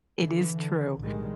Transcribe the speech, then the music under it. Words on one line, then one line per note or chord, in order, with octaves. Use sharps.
It is true.
D3 E3
D3
B1 A2 D#3 G3 G#3